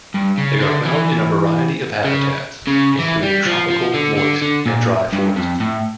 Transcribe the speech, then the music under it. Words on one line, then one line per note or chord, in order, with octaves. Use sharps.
They are found in a variety of habitats, including tropical, moist, and dry forests.
G2
C#3
D3
E3
C#3
C#3
E3
G3
F3
F3
D3
D3
D3
A#2
G2
F2
A2